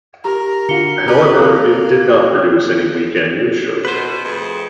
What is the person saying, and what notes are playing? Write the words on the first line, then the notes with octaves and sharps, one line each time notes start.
However, it did not produce any weekend news shows.
G4 A#4 A#5
D3 F4 F#4 C#7 G7
G4 B4 A#5 F6
A#3 C4 A4 A#4 F#6
G5
B2 B4 C5
F2 A3 G#4